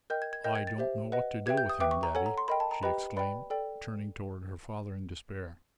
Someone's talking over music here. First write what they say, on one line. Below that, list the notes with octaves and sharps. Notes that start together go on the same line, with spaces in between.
"I don't know what to do with him, daddy!" she exclaimed, turning toward her father in despair.
A#4 D#5 G5 G6
G#6
G#6
A#4 D#5 G5 G6
G#6
A6
G4 C5 E5
B4 D#5 F#5
G4 B4 E5 G5 G#6
G6
D#6
B4 E5 G5 D6
C#6
A#5
A4 C#5 F#5 G#5
A#5
C6
A#4 D#5 G5 B5
A5
A#5
G4 B4 D#5 G5 B5
B4 D5 G5 B5
A4 D5 G5